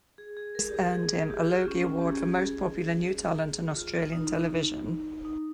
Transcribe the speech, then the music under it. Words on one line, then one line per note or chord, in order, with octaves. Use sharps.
This earned him a Logie Award for Most Popular New Talent on Australian television.
G#4
G#4
A#4
G4
G#4
G#4
G4
F4
C#4
F4
C#4
G4
G#4
F4
F4
D#4
D#4